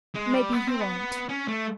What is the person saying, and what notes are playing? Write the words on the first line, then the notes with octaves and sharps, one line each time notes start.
Maybe he won't.
G#3
G3
B3
C4
B3
C#4
A3